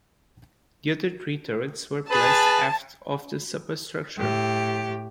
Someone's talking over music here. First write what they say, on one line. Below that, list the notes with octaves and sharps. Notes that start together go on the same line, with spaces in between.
The other three turrets were placed aft of the superstructure.
G#4 B4 A5
A2 G4